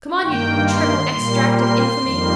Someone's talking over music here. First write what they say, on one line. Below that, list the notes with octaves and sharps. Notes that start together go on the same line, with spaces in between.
Come on, you triple extract of infamy!
G2 D#3 A#3 G5
C6
A#2 G3 A#3
C6
F2 D#3 G3 A#3